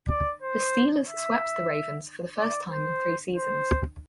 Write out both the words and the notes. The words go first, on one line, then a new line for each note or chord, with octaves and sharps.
The Steelers swept the Ravens for the first time in three seasons.
D5
C5
E5
D5
C5
C5